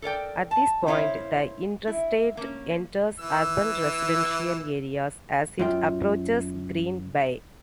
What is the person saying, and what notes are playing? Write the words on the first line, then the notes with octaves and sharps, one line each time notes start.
At this point, the Interstate enters urban residential areas as it approaches Green Bay.
A4 A#4 D5 G5
A5
C#3 A#3 E4 C5 C#5 F5
E4
A#3 C#4
E3 E6
F#2 F4 G5